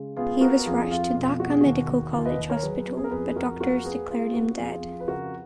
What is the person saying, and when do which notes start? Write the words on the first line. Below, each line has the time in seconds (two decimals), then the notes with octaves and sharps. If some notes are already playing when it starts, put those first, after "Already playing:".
He was rushed to Dhaka Medical College Hospital but doctors declared him dead.
Already playing: C#3 G#3
0.17 B3 F4 G#4
0.41 B3 F#4 A#4
0.66 F2 F4 G#4
0.90 F2 F4
1.15 B2 F4
1.39 B2 F#4
1.50 G#4
1.61 D#2 F#4
1.88 D#2
2.13 D#2 F4
2.25 B4 D#5
2.37 D#2
2.50 A#4 C#5
2.62 F#3 G#4 B4
2.87 B3
2.97 G#4
3.04 A#4
3.11 F2 G#4 B4
3.36 F2 F#4 A#4
3.60 A#3 F#4 A#4
3.85 A#3 G#4 B4
4.09 G#3 F4 G#4
4.34 B3 F#4
4.58 F2 F4 G#4
4.83 F2
5.00 B4
5.07 C#3 F#4 A#4